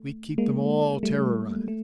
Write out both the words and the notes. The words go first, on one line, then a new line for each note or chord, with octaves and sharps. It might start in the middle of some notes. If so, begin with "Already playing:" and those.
We keep them all terrorized.
Already playing: A3
G#3 A#3
G3 A3
A3